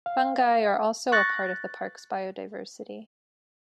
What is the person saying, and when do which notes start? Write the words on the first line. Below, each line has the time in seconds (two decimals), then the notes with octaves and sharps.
Fungi are also a part of the Park's biodiversity.
0.06 F5
1.12 C#6 F#6 A6 A#6